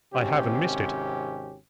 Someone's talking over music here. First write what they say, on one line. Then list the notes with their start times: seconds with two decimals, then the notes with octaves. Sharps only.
'I haven't missed it.
0.13 G#1 C3 C#4 G4